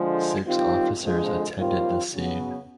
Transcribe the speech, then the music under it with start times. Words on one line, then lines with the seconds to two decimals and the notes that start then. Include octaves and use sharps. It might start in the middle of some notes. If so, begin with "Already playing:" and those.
Six officers attended the scene.
Already playing: D3 F3 G#3
0.46 D#3 G3 C4 F4
1.01 F2 D3 F3 G#3
1.57 D#2 D#3 G3 C4 F4
2.12 C#3 F#3 B3